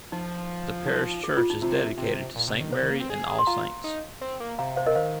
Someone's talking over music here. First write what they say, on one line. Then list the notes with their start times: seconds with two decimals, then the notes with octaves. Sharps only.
The parish church is dedicated to St Mary and All Saints.
0.12 F3 D#4
0.87 D#4
1.24 G#4
1.37 F4
1.50 D#4
1.62 C3 F4
1.98 C3
2.35 A#2
2.47 C3
2.60 D#3
2.73 C3 C5
2.82 D#3
2.91 A#3
3.00 C4
3.10 G#4
3.39 C6
3.47 F4 F5 A#5
3.84 D#4
4.21 C4
4.40 A#3
4.59 C3 F5 A#5
4.76 C5 F5
4.86 A#4 D#5
4.91 C3
4.95 D#3 C5 F5